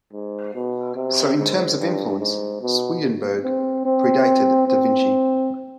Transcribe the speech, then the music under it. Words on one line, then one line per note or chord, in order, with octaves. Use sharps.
So, in terms of influence, Swedenborg predated da Vinci.
G#2
B2
C3
G#2
G2
G#2
B2
C4
C4
C4